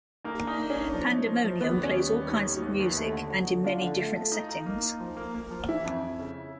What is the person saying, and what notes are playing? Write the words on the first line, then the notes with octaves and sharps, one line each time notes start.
Pandemonium plays all kinds of music and in many different settings.
A#3 D#4
D4
D#4
A#3
C#4
D4
F3
F3
F3
F3
D#2 B3
D#3
C#4
G3
D#2
G3 D#4
D#2
D#2
D#2
A3
D3
F#3
D3
D4 F4
D3
A3
A3
D#4
D#4
A#3
D#4
F3
A#3
A#3
F3
E3 E4
F2
F2
C#3